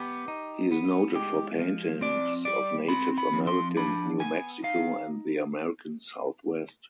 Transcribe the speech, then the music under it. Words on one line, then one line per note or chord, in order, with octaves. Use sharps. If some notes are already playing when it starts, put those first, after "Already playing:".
He is noted for paintings of Native Americans, New Mexico and the American Southwest.
Already playing: B3 G4
D#4
B3
G#3 G4
F3
C4 D5
G3 D5
C4 B5
B5
F3
C6
D4 B5
B3 G#5
D#4 F5